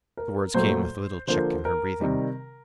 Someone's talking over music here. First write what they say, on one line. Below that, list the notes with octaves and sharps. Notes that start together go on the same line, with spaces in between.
The words came with a little check in her breathing.
A#4
A#2 F#3 A3 C5
D3 F3 A#3 C5
A#4
C3 D#3 G3